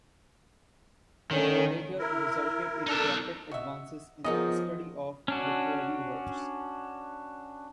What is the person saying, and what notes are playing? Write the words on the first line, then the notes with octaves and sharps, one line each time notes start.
The collator resulted in rapid advances in the study of literary works.
D3 D#3 A3 C#4
E4 A#4
D4 D#4 A4 A#4 A5
F#4 D#5 E5
D#3 F3 F#3 B3 D#4 G#4 A#4 D#5
C#4 D4 F#4